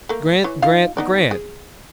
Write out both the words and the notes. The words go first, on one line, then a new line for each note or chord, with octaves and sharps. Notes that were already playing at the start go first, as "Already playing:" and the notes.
Grant, Grant, Grant!
A3 A#3
E3 C#5
D#4 F4 F5
B3 D#4 D5
G#4